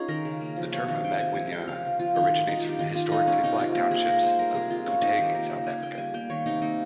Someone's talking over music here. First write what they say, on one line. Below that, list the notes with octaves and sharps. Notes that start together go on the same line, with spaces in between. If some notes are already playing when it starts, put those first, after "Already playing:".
The term "amagwinya" originates from the historically Black townships of Gauteng in South Africa.
Already playing: C#4 D#4 F4 G#4
D#3 A#4
C#3
A#3
F3
C3 C#5
D#3 F5
C3 G5
C3 G#5
F3 G#5
G#3 G5
C#3 F5
F3
F3 F4
D#3 D#4
D#3
D#3 D#4
F4
D#3
G4
D#3 F4
D#3 F4
G#3 D#4
G#3 C#4
C3 D#4
C3 F4
A#3 G4
A#3 G#4
G#3 A#4
G#3 C5
G3 A#4
C3 G#4
G#3 F4
G#3 C#4
C3 D#4
D#3 G4
A#3 A#4
C#3
A#3 G#5
A#3 G5
G3 G#5
A#3 G5
D#3 C#5
C3 D#4
A#3 D#4